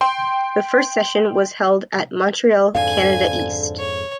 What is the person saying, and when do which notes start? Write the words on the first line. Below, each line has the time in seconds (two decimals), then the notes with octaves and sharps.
The first session was held at Montreal, Canada East.
0.01 G5 C6
2.75 F2 G#2 D3 F5 G#5
3.79 C#5